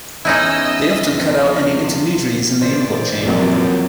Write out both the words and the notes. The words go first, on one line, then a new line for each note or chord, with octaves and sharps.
They often cut out any intermediaries in the import chain.
E2 C#4 D#4 E4 D#5 E6
E2 F3
A#2 E3 C5 D5
A#1 F#2 C3